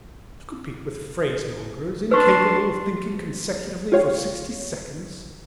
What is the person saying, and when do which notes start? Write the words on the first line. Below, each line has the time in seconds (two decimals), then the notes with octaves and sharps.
To compete with phrasemongers, incapable of thinking consecutively for sixty seconds?
2.11 D4 B4 C6 C#6
3.92 F4 G4 C#5 F5